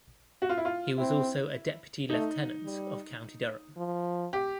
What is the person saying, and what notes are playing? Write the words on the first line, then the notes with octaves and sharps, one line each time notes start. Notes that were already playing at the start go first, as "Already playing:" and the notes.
He was also a Deputy Lieutenant of County Durham.
F#4
F4
E4
F4
C4 E4
A3 D#4
G3
F3
G4